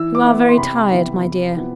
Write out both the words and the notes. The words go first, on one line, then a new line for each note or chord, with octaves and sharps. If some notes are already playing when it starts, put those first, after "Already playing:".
You are very tired, my dear.'
Already playing: E3 E6
D6
B3 E4
C6
C3 B5
E3 B3 E4
C3
F3 B3 E4